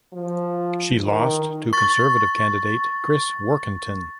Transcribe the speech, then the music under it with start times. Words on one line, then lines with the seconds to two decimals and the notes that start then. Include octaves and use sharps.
She lost to Conservative candidate Chris Warkentin.
0.14 F3
1.04 D#3
1.73 C#6 A6